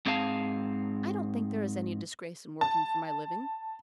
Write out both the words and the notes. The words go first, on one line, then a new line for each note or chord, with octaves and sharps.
I don't think there is any disgrace in working for my living.
G#2 C4 G#4 F5 A5
A5